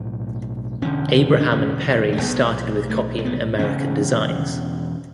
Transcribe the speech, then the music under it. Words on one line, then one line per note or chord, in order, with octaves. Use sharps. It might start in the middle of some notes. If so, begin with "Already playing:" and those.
Abraham and Peri started with copying American designs.
Already playing: B1 A2
E1 E2 D3 C#4
D4
C#4
A3
B1 A2 B3
A3
A3
B3
E1 E2 C#3 C#4